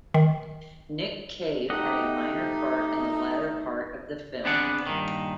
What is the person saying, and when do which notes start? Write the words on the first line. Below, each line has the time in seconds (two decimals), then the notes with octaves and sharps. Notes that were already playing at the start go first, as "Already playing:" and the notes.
Nick Cave had a minor part in the latter part of the film.
0.14 D#3
1.70 A3 D#4 G4 D#5 F#5
4.45 B3 C4 D4 G#4 D5 F#5
4.87 G2 A#2 D#3